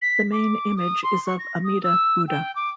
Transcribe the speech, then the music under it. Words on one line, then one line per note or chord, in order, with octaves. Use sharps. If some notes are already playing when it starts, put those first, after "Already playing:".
The main image is of Amida Buddha.
B6
D6
D#6
C6
C#6
A#6
D#6
E6
G5
D6